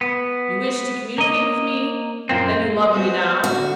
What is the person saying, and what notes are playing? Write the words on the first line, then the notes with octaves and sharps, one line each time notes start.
"You wish to communicate with me;--then you love me now?"
B3
A#3 D#5
F#2 A#2 A#3 C4
B3 C4 F#4
D3 F#4